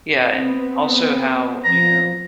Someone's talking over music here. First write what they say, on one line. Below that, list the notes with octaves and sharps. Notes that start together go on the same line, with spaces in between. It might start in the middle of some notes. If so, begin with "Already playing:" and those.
Yeah, and also how, you know,
B3 C4
F3 A#5